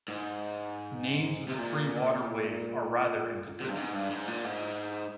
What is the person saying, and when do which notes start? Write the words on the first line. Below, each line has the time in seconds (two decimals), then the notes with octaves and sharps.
The names of the three waterways are rather inconsistent.
0.08 G#2
1.48 C3
1.58 A#2
3.60 C3
3.69 G2
3.76 G#2
3.93 G2
4.10 G#2
4.28 A#2
4.44 G#2